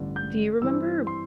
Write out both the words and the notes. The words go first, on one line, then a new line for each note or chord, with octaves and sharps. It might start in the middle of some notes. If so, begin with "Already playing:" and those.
Do you remember
Already playing: A1 G2 D3
G6
G2 E3 C4 E4 E6
C6